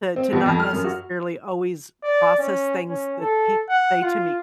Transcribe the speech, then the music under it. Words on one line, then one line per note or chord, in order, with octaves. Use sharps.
to to not necessarily always process things that people say to me
C4
B2
F2
F6
F#2
F#4
D5
C#4
C#4
A4
F#5
F4